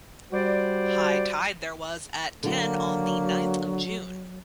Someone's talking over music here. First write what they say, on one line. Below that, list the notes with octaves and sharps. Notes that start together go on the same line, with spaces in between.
High tide there was at ten on the ninth of June.
G3 F#4 G4 C5 D5
D3 F#3 A#3 F#4